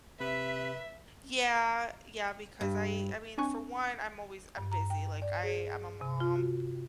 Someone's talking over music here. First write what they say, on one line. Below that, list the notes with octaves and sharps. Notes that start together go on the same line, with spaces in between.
Yeah. Yeah, because I I mean, for one, I'm always I'm busy. Like, I I'm a mom,
C3 B4 E5
G2
C4 D4 G#5 C#6 F#6
G2
A#5
G5
D5
G#4
C3
F4
F#4